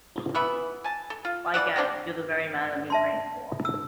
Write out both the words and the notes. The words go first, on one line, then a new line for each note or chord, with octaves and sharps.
By Gad, you’re the very man I’ve been praying for.
E3 B3 E5 B5
G#5 A5
A4
F4
E3 D5 E5 F#5
G#3 C4 D4 G4
E5 A5 C6
E6